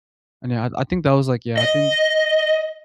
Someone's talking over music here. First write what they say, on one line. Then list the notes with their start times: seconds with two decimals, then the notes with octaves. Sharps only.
And, yeah, I I think that was, like, yeah I think
1.57 D#5